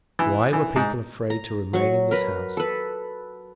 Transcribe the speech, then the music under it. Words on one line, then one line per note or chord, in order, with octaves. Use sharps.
Why were people afraid to remain in this house?
E3
E3
G#2
A#5
F#3 C#6
A#4 B4
A4 B4